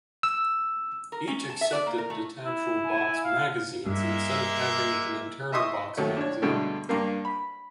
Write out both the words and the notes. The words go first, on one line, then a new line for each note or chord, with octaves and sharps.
Each accepted detachable box magazines instead of having an internal box magazine.
E6
A#4
C#4
A5
E5
D5
A#3
A#4
A3
E4
G#5
F5
G2 G#3 A#3 E5
D#5 E5 C6 C#6 D#6
D#2 F#3 A3
D4 C#5
G2 B2 D3 G#3 A3
G2 A#3
B5